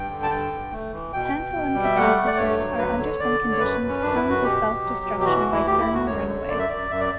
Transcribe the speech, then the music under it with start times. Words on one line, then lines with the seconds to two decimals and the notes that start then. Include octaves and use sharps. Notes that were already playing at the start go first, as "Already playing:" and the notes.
Tantalum capacitors are under some conditions prone to self-destruction by thermal runaway.
Already playing: G2 G5
0.11 D3
0.23 A5
0.30 G2 G5
0.52 G2
0.72 A3
0.92 E3
1.13 B2 G5
1.34 B2
1.54 B2
1.75 G3
1.84 E5
1.96 A3 F#5
2.17 A3
2.27 D5
2.37 G2 C#5
2.58 F#3
2.78 D2 B4
2.98 D3 C#5
3.19 D3 D5
3.40 D3
3.51 C#5
3.60 F#2 B4
3.81 F#2
3.89 C#4
4.01 F#2 D4
4.15 E4
4.23 F#2
4.30 F#4
4.42 B2 G4
4.63 B2
4.84 F#3
5.05 B2
5.20 G4
5.25 E3 F#4
5.39 F#4
5.46 D2
5.52 E4
5.66 D2 G4
5.80 E4
5.87 D2
5.94 F#4
6.07 F#2 C#5
6.28 D3
6.48 F#2 D5
6.59 E5
6.69 F#2 D5
6.90 F#2 E5
7.00 D5